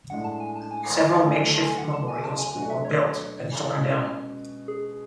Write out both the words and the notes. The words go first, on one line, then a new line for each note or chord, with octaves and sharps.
Several makeshift memorials were built and torn down.
A2 G#3 D4 F#5
A5
G#5
A5
G#5
D2 D3 F#3 A3 G#5
A5
G#5
F#5
A5
G#5
A5
G#5
B2 F#3 A3 D4 F#4 G#5
E5
C#5
B2 G#3 C#4
G#4